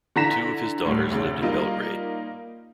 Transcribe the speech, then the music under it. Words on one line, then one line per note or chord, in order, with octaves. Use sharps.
Two of his daughters lived in Belgrade.
D3 E3 A#5 A#6 B6 E7
D2 A2 G3
F1 D2 C#3
G3 A#3 D#4 F4